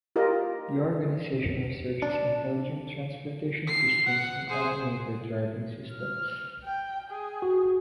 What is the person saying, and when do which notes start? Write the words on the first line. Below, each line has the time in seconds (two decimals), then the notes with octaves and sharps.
The organisation researches intelligent transportation systems and automated driving systems.
0.16 F4 G4 A#4 D#5
2.02 D4
3.67 C7
4.06 F#5
4.50 G#4 C5
5.92 F6
6.64 G5
7.10 G#4
7.42 F#4